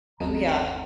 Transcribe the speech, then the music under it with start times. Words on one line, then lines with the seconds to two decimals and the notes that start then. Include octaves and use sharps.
Oh, yeah.
0.20 G1 D#2 C4 C#4 A4 D#5 A#5